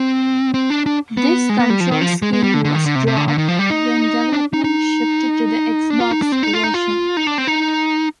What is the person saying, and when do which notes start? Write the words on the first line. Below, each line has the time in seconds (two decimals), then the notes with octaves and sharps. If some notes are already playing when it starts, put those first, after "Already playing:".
This control-scheme was dropped when development shifted to the Xbox version.
Already playing: C4
0.54 C4
0.70 D4
0.86 D4
1.17 B3
1.49 G#3
1.59 B3
1.70 G3
1.80 F3
1.91 D#3
2.01 F3
2.22 G#3
2.33 G#3
2.43 G3
2.54 D3
2.65 D3
2.75 D#3
2.86 D3
2.95 C3
3.07 C3
3.17 D3
3.28 D3
3.38 D#3
3.48 F3
3.59 G3
3.70 D#4
4.32 D4
4.54 D#4
4.64 D#4
5.90 D4
6.00 F4
6.11 D#4
6.22 D4
6.32 C4
6.43 D#4
6.54 F4
6.64 D#4
6.74 F4
7.17 D#4
7.27 D4
7.38 C4
7.47 D#4